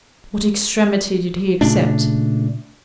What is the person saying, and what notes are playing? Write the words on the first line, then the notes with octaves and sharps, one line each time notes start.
What extremity did he accept?
A#2 C#3 A3 D4